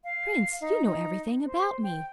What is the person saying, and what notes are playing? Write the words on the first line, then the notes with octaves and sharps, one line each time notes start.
"Prince, you know everything about me."
F5
D#4
D#4
C5
G5